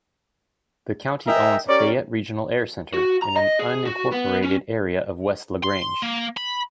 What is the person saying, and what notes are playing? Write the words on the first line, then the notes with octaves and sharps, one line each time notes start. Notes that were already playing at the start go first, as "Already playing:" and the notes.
The county owns Fayette Regional Air Center, in an unincorporated area west of LaGrange.
A#4 D#5 E5 G5 G#5 A#5
C#4 G4 A#4 C#5 D5
F#4
A#5
D#5
G#4
F#4
B3
C#4
C6
A#3
B5